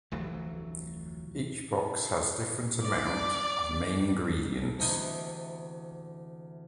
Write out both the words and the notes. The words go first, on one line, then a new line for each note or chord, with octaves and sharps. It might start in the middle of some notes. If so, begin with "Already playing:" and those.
Each box has different amount of main ingredients.
F1 D2 E3 F#3
D5
D2 C3 E3 B3 D#5 G6